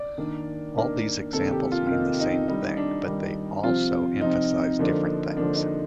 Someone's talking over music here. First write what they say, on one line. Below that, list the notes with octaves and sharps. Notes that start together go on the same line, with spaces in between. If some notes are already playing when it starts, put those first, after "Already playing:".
All these examples mean the same thing but they also emphasize different things.
Already playing: D5
D#3 A#3 D4
D#3 A#3 D4
C3 D#3 A#3 A4
G4
F4
F4
C3 D#3 A#3 D#4
D#4
D#3 G3 D4 D#4
D4
D#3 G3 D4
C3 F3 C4 F4
C3 F3 C4 D#4
D3 F3 A#3 D4
D3 F3 A#3 D4
D#4